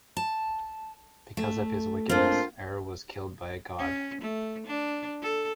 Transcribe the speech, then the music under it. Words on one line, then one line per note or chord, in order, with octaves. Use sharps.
Because of his wickedness, Er was killed by God.
A5
A3
G#2 A#3 C4 D4 F4
C#4
A3
D4
A4